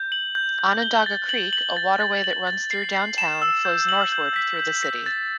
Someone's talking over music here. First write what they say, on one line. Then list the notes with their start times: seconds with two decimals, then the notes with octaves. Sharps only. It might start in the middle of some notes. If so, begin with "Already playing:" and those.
Onondaga Creek, a waterway that runs through downtown, flows northward through the city.
Already playing: G6
0.12 F#7
0.35 G6
0.59 G6
0.82 G7
1.06 A6
1.29 F#7
1.53 F#7
1.77 A6
2.00 A6
2.24 F#7
2.47 A6
2.71 C7
2.94 C7
3.18 E7
3.42 E6
3.65 G6
3.89 F#7
4.12 G6
4.36 B6
4.59 G6
4.83 B6
5.06 A6